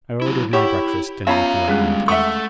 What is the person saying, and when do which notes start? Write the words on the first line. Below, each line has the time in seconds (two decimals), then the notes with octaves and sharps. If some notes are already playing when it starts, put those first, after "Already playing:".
I ordered my breakfast and let the argument go on.
0.22 F#3 E4
0.53 E4 G4 C#5 F#5 C#6
1.27 B3 C#4 F4 C#5 E5 A#5 B5
1.68 D3 G3 G#3 C#4 G#4
2.08 A3 E5 F#5 C#6